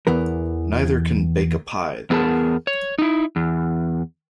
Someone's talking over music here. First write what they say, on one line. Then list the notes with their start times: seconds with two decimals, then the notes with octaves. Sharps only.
Neither can "bake a pie," though.
0.07 E2 E3 B3 A#4
2.10 E2 B3 G#4 A#4 A5
2.67 C#5
2.98 D#4 E4
3.36 E2